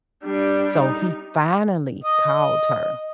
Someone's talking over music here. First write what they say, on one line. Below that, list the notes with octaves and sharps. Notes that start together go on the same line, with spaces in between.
So he finally called her,
G3 D4
D#4
D#5